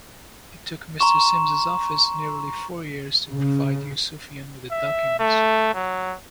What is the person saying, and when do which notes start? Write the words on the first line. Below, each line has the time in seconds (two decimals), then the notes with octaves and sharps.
It took Mr Sims's office nearly four years to provide Yousoufian with the documents.
0.99 A#5 C6 C#6 E7
3.31 C#3
4.71 E5
5.19 A3
5.74 F#3